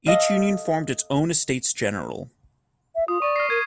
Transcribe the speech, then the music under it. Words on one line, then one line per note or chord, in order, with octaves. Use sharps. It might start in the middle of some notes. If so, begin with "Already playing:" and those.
Each union formed its own Estates General.
A4 D#5 F5
E5
F4 D#6
D5 C#6
F6 A#6 C7
A#4 G#6 D#7